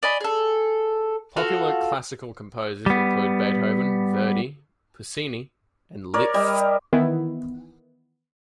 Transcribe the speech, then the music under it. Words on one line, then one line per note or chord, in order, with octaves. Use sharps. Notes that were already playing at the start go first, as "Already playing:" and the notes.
Popular classical composers include Beethoven, Verdi, Puccini and Liszt.
D5 D#5 G#5 B5
G#4 A4
F4 F#4 A4 F5
G3 B3
A#4 C#5 D5
G3 D#5
D#3 E3 B3 E4